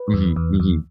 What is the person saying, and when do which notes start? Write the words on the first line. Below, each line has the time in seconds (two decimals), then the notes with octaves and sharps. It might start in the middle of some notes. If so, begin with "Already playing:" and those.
Mhm, mhm.
Already playing: B4
0.13 E2
0.36 E2
0.60 E2